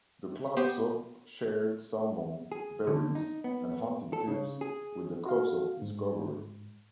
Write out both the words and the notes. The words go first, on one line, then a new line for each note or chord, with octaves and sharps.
The Clatsop shared salmon, berries, and hunting tips with the Corps of Discovery.
B3 G4 C5
G#4
D3
D#4
B3
A4
C#3
G#4
F#4 F5
G#2